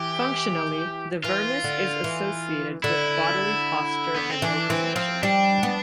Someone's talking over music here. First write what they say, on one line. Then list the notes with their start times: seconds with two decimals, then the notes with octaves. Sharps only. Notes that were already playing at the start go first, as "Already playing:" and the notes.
Functionally, the vermis is associated with bodily posture and locomotion.
Already playing: E3 G4
1.24 E3 F4
1.64 D3
2.04 E3
2.83 D3 E4
4.16 B3
4.30 C4
4.42 E3 D4
4.70 E3 C4
4.96 F3 C4
5.23 G3 D4
5.63 B3